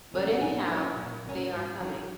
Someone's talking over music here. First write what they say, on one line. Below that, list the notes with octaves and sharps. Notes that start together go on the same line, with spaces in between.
But anyhow, they are coming.
F#3 A#3 C#4
F#5
A#2 G#5
F#3 A#3 C#4
A#2
F#3 A#3 C#4
G#2
F#3 C#4